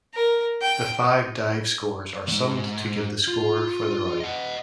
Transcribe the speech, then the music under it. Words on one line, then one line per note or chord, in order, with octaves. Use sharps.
The five dive scores are summed to give the score for the round.
A#4
G5
D#2 G#2
F4
D#5 F#5